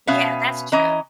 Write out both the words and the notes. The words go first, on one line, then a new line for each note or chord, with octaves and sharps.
Yeah, that's true,
B2 B3 C#4 E5 F5
E3 C#4 D#5 A#5